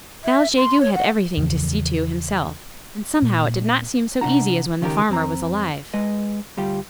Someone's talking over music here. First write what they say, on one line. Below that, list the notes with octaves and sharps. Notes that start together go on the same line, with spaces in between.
Now Jegu had everything to see to himself, and somehow it did not seem so easy as when the farmer was alive.
E5
C6
C#5
F#5
E2 C#3 E3 F3
A#2
C3 D4 F#5 A#5
C#2 D#3 C#4 E4 G4 A#4
F2 C4 A#5
G#3 B4 D#5
D2 G3 F4 G4